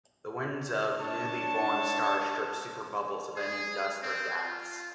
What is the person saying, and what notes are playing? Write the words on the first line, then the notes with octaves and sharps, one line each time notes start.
The winds of newly born stars strip superbubbles of any dust or gas.
D4 C#5 A5
G#4
C4
F4